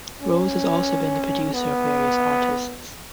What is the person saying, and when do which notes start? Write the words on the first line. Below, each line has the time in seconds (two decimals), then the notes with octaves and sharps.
Rose has also been the producer of various artists.
0.21 C#4
1.54 B3